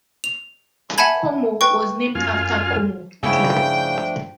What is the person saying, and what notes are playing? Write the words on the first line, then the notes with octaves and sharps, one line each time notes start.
Como was named after Como, Italy.
F7
E5 F#5 G#5 A5 B5 G#6
B4 G5 C#6
F#2 F4 G#5 F6
G2 C#3 F3 A3 D4 E4 G5